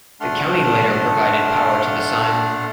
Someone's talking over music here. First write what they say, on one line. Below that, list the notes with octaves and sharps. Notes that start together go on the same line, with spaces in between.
The county later provided power to the sign.
A3 D4 F#5 C6 F6